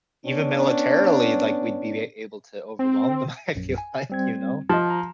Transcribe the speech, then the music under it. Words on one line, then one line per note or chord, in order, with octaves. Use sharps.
even militarily, like, we'd be a able to overwhelm them. I feel like, you know?
B3 C#4 D4
C4
A#1 F#2
G#5
G3 C4 G#6
F3 D#5 A5
A#5